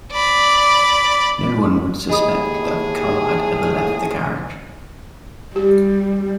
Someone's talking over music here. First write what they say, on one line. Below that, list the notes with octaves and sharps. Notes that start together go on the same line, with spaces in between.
No one would suspect that the car had ever left the garage.
D5 B5
D#2 A2 G#4 D#5 B5 D#6
G3 G4